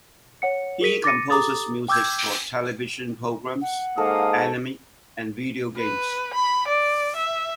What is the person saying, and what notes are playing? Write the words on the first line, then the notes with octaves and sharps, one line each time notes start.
He composes music for television programs, anime, and video games.
C#5 F#5 C#7
G#4 A#4 B6 D#7
D6 A6 A#6 C#7 D#7
G4 A4 A#5 D6 D#6 A6
G5 D6 E6 G6 G#6
F#5
G#2 A#3 A4 F5 D#6
B4
B5
D5
E5